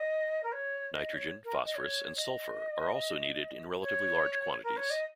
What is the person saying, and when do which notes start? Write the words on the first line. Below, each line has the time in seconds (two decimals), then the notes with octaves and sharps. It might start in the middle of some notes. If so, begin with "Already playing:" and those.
Nitrogen, phosphorus, and sulfur are also needed in relatively large quantities.
Already playing: D#5
0.43 A#4
0.52 C#5
0.93 D#5
1.14 C#5
1.44 A#4
1.65 D#5
1.75 C#5
2.17 D#5
3.81 C#5
4.64 A#4
4.77 C#5
4.90 D#5